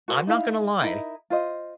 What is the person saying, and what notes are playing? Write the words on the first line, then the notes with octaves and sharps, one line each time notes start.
I'm not gonna lie,
F#4 A#4 C5 G#5
D#4 E4 F5
D#4 E4 A#4 D#5
F4 C5 D#5